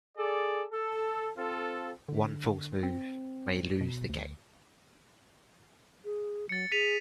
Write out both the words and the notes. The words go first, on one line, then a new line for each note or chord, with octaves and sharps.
One false move may lose the game.
G#4 A4 D5
A4
C4 F4 A4
D3
C4
B2
D2
G#4
F#3 A6 C#7
G#4 B6 D#7 F7